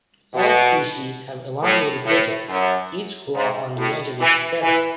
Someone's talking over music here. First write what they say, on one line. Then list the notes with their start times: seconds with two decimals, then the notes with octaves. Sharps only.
All species have elongated digits, each claw on the edge of each seta.
0.34 B2
1.63 A2
2.06 A2
2.49 F#2
3.35 G#2
3.77 A2
4.20 E3
4.62 E3